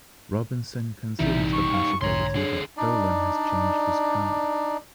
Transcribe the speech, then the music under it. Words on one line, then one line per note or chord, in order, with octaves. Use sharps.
Robinson considers the possibility that Dolan had changed his car.
A#1 C3 E3 G3 D#4 E5
C#6
F5
B1 G#2 D3 C#5 A#5 C6
D3 D4 G#4
D4 D#4 D5